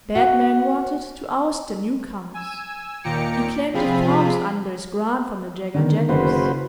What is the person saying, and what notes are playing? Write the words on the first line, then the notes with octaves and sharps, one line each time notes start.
Batman wanted to oust the newcomers; he claimed the farms under his grant from the Jagga-Jaggas.
F#4
G#5 E6
D#2 A#2 G5 A#5 D6 C#7
C3 F3 C4 F4 G#4 B5
D3 D#3 B3
F#1 F#4 B4 C5